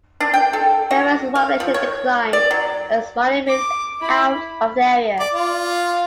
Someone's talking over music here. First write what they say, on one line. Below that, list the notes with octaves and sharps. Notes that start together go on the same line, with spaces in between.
Peoria's population declined as mining moved out of the area.
D4
G5
A4
F#4
F5
F3
C#5
D5
F#3
D6
E4 B5
D5
F4